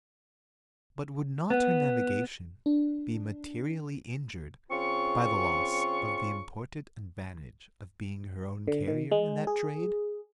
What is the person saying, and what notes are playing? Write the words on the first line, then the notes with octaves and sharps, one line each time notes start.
But would not her navigation be materially injured by the loss of the important advantage of being her own carrier in that trade?
B3
D4
C#3 C4 F4 C#6
D3
D#3
G#3
G#4